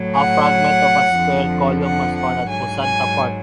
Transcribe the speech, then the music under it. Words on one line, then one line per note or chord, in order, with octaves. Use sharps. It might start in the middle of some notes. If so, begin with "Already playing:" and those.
A fragment of a square column was found at Fuensanta park.
Already playing: A2 F#3
F#5
F2 D3 F3
F#5
F#5
G#2 F#3 G#5
G#5